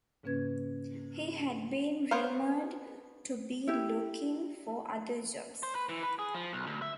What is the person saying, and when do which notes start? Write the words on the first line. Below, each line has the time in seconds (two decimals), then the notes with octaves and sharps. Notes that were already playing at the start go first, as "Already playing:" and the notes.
He had been rumoured to be looking for other jobs.
0.23 G#2 C#3 A#3 C#4 B4 G#6
2.11 B3 C5 C#5 F5
3.67 E4 G4
5.63 C5
5.75 B4
5.89 E3
6.03 B4
6.19 G#4
6.34 F3
6.53 B1
6.67 D2
6.82 E5